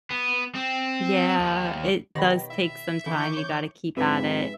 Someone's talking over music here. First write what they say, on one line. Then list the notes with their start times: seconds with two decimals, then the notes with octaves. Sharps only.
Yeah, it does take some time. You gotta keep at it.
0.10 B3
0.55 C4
1.39 D#2
2.15 B2 D#3 G4 C#5 B5 A#6
2.50 E5
3.06 D3 E3 C#6 D6 G6
3.37 C#5
3.97 F2 G#2 C3 B4 E5